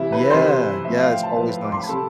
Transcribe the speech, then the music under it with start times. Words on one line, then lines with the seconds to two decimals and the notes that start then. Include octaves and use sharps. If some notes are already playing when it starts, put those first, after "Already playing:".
Yeah, yeah it's always nice.
Already playing: C3 E3 G3 E4 E5
0.12 B4 B5
0.30 C3 E3 G3 C5 C6
0.84 A2 F3 E5
0.97 F5
1.10 G5
1.23 A5
1.36 A2 F3 B4 B5
1.64 D6
1.72 C6
1.80 B5
1.89 C3 G3 A4 A5